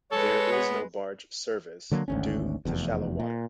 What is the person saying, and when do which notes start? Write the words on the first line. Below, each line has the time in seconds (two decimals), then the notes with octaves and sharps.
There is no barge service due to shallow water.
0.12 G#3 A4 B4 C#5
0.52 B3
1.91 D3 F#3 A#3
2.08 G#1 D2 C#4
2.65 F1 E2
3.20 A#2